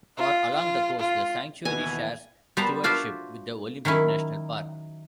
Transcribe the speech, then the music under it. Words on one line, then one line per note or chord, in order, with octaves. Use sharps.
For along the coast, the sanctuary shares stewardship with the Olympic National Park.
F4
F4
F4
D#2 B2 E3 G#5
G3 B3 C5 A5 A#5
D4 F4 F#4 C5 D5 E5
D#3 F#3 C#4 E4